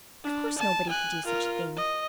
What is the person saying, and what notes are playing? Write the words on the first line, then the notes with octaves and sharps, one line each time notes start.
Of course nobody could do such a thing.
D4
A5
G#5 F#6
F4 A#4
D#5